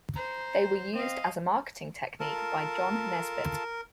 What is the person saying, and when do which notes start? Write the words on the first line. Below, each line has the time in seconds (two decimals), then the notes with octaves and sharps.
They were used as a marketing technique by John Nesbitt.
0.16 C5 A#5
0.95 C4 D#5 F5
2.20 F4 A4 A#4 A5